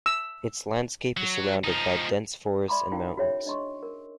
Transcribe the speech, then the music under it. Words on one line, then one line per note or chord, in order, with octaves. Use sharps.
Its landscape is surrounded by dense forests and mountains.
E6
F#3
F3 D#4
D5 E5 B5 C6 D6
C#4 D#4 E4 A#4 F5 G5
F#4 G#4 C#5 E5 G5
D4 D#5 C6 C#6
A#4